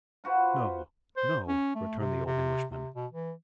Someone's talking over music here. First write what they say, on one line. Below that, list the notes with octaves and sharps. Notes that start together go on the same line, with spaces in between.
"No--no," returned the old Englishman.
F4 F#4 B4 C5
C5
C#4
A3
C3
C3
C3
B2
E3